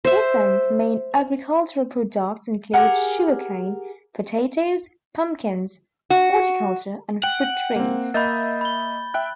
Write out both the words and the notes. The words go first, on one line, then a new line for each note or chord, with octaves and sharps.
Isen's main agricultural products include sugar cane, potatoes, pumpkins, horticulture, and fruit trees.
C5 E5
G4 G#4 A#4 F#5
F#4
F#5 G5
A#3 C4
A#3 D#5 E5 B5 G6 A6
B5 G7
E5 G5 F#6